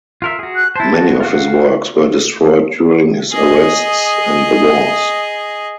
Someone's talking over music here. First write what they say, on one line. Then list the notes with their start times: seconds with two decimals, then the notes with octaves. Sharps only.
Many of his works were destroyed during his arrests and the wars.
0.22 F4 A#4 E5
0.39 F#4 G#4
0.55 F#6
0.76 E4 C5 A5
0.96 F#4
1.20 F4 F#4 F5 F#5
3.32 G#4 D#5